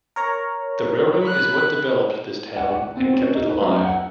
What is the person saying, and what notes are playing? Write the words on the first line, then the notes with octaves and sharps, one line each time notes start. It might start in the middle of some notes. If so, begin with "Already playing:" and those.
The railroad is what developed this town and kept it alive.
A#4 C#5 A#5
B5 F#6
F#5
F#5
C4
C#4
D#4
B4
F#2
F#5